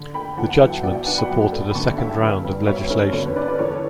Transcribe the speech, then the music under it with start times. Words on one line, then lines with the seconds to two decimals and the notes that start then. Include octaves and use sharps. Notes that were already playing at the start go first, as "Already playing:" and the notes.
The judgments supported a second round of legislation.
Already playing: D3
0.14 A3 G5 B5
0.37 E2 F#5 A5
0.49 F#5
0.61 F#3 E5 G5
0.83 B2 D5 F#5
0.94 E5 G5
1.06 D4 F#5 A5
1.18 G5 B5
1.30 F#2
1.52 A3
1.71 B5
1.75 D3 A5 C#6
1.98 C#4 E5 G5
2.21 G2
2.44 G3
2.67 B2 C#5 E5
2.90 C#4 A4 C#5
3.13 D3 A4 C#5
3.25 B4
3.36 C#4 B4 D5
3.48 B4 D5
3.59 E2 A4 C#5